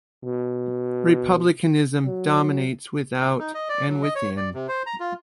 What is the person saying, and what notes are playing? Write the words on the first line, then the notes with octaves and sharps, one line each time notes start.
Republicanism dominates without and within.
B2
F#3
D#4
D#5
D5
F#3
D#5
C#5
D5
C3
C5
A#5
F4